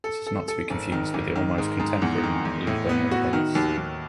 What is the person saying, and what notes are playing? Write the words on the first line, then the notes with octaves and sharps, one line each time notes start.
It is not to be confused with the almost contemporary "Liber mirabilis".
A4
A4
A4
G#1
D#3
G#1
D#3
G#2
G#2
E2
D#3
E2
A2
B3
F#4
D#3
D#2
D#2